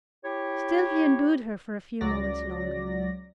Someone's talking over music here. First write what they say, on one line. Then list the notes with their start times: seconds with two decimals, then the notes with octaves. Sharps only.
Still he endured her for a few moments longer.
0.24 E4 G4 C#5
2.01 C#2 F#3 D5 A#6